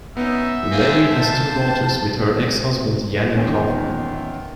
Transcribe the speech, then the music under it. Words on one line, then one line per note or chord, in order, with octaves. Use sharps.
Levi has two daughters with her ex-husband Yaniv Kaufman.
B3 C#4 D#4 E5
C4 G4 A#4 F5 G#5
C5 A5
E2 A#2 D#3 C#4